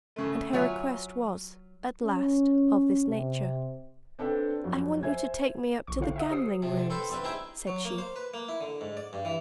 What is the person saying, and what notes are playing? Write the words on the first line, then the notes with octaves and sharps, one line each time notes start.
And her request was, at last, of this nature: "I want you to take me up to the gambling-rooms!" said she.
A2 C#3 A3
F#3 F4 C#5 E5 F#5 G#5
C#4
C3
C4 D4 A4 B4 G5
F2 F#3
C5 E5 G#5 G#6
A#1 C#6
D3 D#4 E4 C5 F5
E5 F#5 D#6
G4 C5 D#6 C7
C3 F3
D3
C4 A4 B4 C5
E2 G2 C4 B4
D#4 E4 G#4 E5 G5
F#3
A#3
C5
B4
A#3
E4
D3
G#2
D5
G2
E3